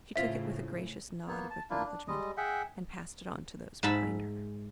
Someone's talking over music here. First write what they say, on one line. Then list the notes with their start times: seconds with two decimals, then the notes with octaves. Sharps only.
She took it with a gracious nod of acknowledgment, and passed it on to those behind her.
0.16 A2 C#3 C4 E4 F4 E5 B6
1.27 A#3 B3
1.50 A5
1.70 A#3 D4 E4 F4
1.85 D4
2.08 G3 G#3 D#5
2.37 G#4 E5 F#5 G5
3.83 G#2 E5 A5 B5